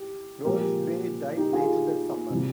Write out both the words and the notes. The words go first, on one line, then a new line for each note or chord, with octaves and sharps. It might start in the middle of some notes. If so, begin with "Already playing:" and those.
Rolf Bae died later that summer.
Already playing: G4
A#2 F3 G#3 G4 A#4
D#4 G4
F4 G#4
C3 G3